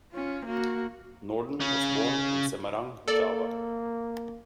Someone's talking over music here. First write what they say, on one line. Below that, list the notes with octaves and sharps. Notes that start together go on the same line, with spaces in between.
Norden was born in Semarang, Java.
C#4 F4
A#3 F#4
C#3 C#4
A#3 A4 D5